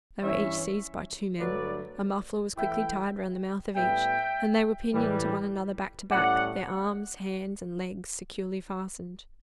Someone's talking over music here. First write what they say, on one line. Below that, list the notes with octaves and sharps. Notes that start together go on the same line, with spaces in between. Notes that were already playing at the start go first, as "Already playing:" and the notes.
They were each seized by two men, a muffler was quickly tied round the mouth of each, and they were pinioned to one another back to back, their arms, hands, and legs securely fastened.
G2 E3 G3 C#4 E4 C#5 E5
G2 D3 F#3 A3 B4 D5
E3 A3 E4 E5 G5
A2 G3 B3 E5 G5
A2 E3 G3
A2 G3 C#4 D5 F#5